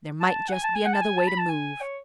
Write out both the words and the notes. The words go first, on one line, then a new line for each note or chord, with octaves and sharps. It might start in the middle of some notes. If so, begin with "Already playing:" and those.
There might just be another way to move.
A5
F#5
G#5
A5
G#5
F#5
A5
G#5
A5
B5
A5
G#5
C#5